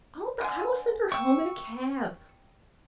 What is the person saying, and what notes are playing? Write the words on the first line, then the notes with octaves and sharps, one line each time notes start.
'Oh, but I will send her home in a cab.
D3 G#5
G5 C#6 E6